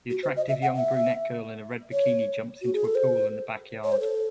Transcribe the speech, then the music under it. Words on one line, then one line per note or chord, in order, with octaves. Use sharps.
The attractive young brunette girl in a red bikini jumps into a pool in the backyard.
F#4
C5
D#5
E5
F#5
E5
C#5
F#4
G#4
A4
C5
C#5
C5
A4